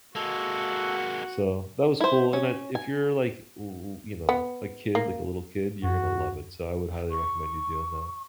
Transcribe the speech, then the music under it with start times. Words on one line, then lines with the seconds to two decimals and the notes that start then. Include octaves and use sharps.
So, that was cool, and it if you're, like, w w you know, a kid, like a little kid, you're gonna love it, so I would highly recommend you doing that.
0.15 G#3 A#3 F#4 A4 F#5
2.01 E4 C5
2.33 C#4
2.75 G#5
4.29 B3
4.95 A#3
5.84 F#2 F#4
7.11 C#6